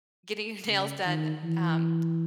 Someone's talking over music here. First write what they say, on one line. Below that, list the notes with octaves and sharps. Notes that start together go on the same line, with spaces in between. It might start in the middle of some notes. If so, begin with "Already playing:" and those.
getting your nails done, um
C#3
D#3
E3